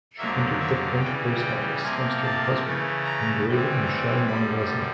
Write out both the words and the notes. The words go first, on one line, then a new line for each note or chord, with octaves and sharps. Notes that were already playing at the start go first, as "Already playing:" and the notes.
She entered the French post office thanks to her husband, engraver Michel Monvoisin.
F2 D3 F#3 A#3 E5
E5
C#3 E3 G3 G5
G5
C3 F3 A#3 G#5
A5
C#3 E3 A3
A#5
A2 E3 G3 C4
A#5
F#2 D3 G3 B5